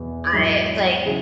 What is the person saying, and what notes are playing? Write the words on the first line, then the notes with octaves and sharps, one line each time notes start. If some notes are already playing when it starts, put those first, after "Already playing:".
I, like
Already playing: E2 B2 B3
G#2 F#3 E4
C#3 F#3 E4 G#4